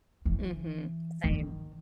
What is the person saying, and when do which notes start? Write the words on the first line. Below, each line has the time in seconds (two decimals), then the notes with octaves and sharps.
Mhm. Same.
0.25 E3
1.24 D#3